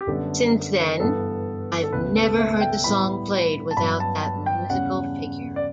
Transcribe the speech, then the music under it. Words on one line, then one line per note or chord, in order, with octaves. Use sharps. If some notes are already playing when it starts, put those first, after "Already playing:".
Since then, I've never heard the song played without that musical figure.
G4
F#2 D3 G3 B3 A4
G2 E3 G3 B3 A4
A4
C#2 B2 A3 B4
A4
E5
G5
A2 G3 B3 B5
A5
G2 F#3 B3 B5
A5
A5
G5
E2 C#3 G3 C#4 F#5
D5